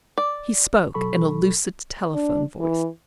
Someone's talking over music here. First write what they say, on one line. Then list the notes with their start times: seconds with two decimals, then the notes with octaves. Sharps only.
He spoke in a lucid telephone-voice.
0.18 D5
0.94 B2 F#3 A4 B5 C#6
2.14 D4
2.60 E3